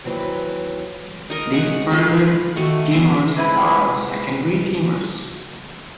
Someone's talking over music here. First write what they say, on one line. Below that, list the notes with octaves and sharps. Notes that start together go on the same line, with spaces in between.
These further tumors are secondary tumors.
D#2 E3 F#3 C4 B4 G5
D#4 A#4 D#5
G#3 D#5 F#5 C#6
F4 A4 B5
B4
D#3 A3 F#4
E3 B3 E5 C6
G#3 C4 E4 B4